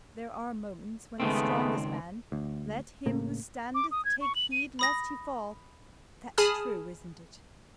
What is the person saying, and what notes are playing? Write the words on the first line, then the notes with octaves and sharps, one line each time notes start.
There are moments when the strongest man--'Let him who standeth, take heed lest he fall.' That's true, isn't it?
C#2 D#3 G#3 A3 B3 C4
D2
A2 C#3 A#3
D6
D#6
G#6
C#6
F#7
D#7
B5 D#6 A#6
G#4 G#5 A5 B5 D#6 F6